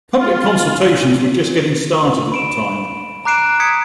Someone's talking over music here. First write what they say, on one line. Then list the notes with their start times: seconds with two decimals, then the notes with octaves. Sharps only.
Public consultations were just getting started at the time.
0.20 F4
0.85 A#2
2.32 B5 D7 E7
3.25 A#5 D6 F#6 C7 D7 E7
3.60 D#6 G#6 B6 C#7 D7